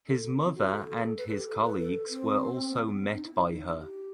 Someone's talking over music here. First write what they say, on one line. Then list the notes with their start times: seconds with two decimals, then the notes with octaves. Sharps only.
His mother and his colleagues were also met by her.
0.08 A4
0.25 B3
0.35 C4
0.45 E4
0.55 F#4
0.70 A4
1.17 B4
1.27 A4
1.37 G4
1.48 A4
1.63 B4
1.79 A4
2.09 C4
2.71 B3
2.87 B3
3.02 C4
3.13 D#4
3.24 E4
3.34 E4
3.49 D#4
3.80 G4